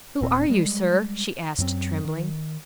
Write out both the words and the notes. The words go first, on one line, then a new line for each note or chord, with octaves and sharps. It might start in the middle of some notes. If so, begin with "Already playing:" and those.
"Who are you, sir?" she asked, trembling.
D#1 A#2 C4
G3 G#3
F#2 F#3 C4
D#3